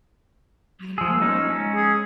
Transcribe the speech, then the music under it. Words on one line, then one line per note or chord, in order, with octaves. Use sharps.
I know.
F3 G#4 E6
C#4 D#4
G#3 C#4
G#4